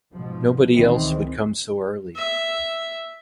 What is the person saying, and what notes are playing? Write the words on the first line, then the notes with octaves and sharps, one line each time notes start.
Nobody else would come so early.
G#2 B2 F3
C#2 D#3 E3 G#3 C4
E5